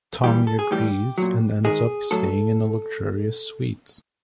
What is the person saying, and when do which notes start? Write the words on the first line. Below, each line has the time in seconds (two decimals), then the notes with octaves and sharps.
Tommy agrees and ends up staying in a luxurious suite.
0.24 G2 E3 G3 G4
0.47 A4
0.59 G#4
0.71 A2 E3 G3 G4
1.18 A#2 F#3
1.65 G#2 D#3 G#3 G#4
2.11 A2 F#3 A4